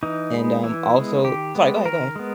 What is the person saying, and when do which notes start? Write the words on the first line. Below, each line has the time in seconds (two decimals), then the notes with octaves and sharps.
and, um, also sorry, go ahead, go ahead.
0.03 E3 D#4
0.34 G#3 B3
0.64 E3 E4
0.94 G#3 B3
1.24 D#3 G4
1.55 G#3 B3
1.85 D#3 A#4
2.16 G#3 B3